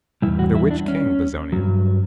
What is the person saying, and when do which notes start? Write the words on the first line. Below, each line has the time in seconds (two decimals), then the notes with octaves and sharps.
Under which King, Bezonian?
0.22 E2 C#3 G3 E4
0.39 F#4
0.55 E4
0.71 D4
0.88 C#4
1.53 G2 F#3